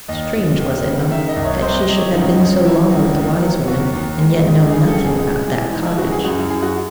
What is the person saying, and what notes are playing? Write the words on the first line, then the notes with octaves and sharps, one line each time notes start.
Strange, was it not, that she should have been so long with the wise woman, and yet know NOTHING about that cottage?
D#2 D#5
D#2
D#2
C#3
D#3 E5
D#5
C2
C#5
C3 C5
D#5
C3
C#5
C#2 D#4
C#2 C#4
F#3 E4
C#2
D#2
F#3
D#2 F#4
D#2
G#3
C#2
C#2 G#4
A4
C#3
G#4
G#3
E3
G#3 D#4
E4
C#2 F#4
G#4
F#2 F#4
E4
F#2 G#4
F#4